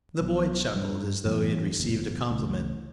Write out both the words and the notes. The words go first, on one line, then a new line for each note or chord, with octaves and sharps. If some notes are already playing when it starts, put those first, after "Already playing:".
The boy chuckled as though he had received a compliment.
B1 B2 F#3
G2 E3 G3 D4
F#2 E3 G3 B3
F#1 E2 B2
C#2 C#3 E3 A3